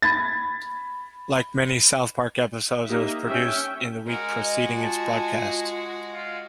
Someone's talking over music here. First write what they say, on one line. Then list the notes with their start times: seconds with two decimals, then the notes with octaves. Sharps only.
Like many "South Park" episodes, it was produced in the week preceding its broadcast.
0.02 B5 G#6 A6
2.87 A#3 D#4 G4 E5
3.27 C#4 E5 G5
4.07 G#3 F#4 A#4
4.44 D#5
4.74 F4 A5
6.13 F4